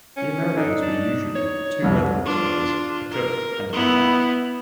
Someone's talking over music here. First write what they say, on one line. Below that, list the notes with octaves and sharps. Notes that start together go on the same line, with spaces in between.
The Americans were usually two weather observers, a cook, and a mechanic.
C#4
D3 D#4
D4
C#5
C2 F2
D4 F4
A#4
B3 E4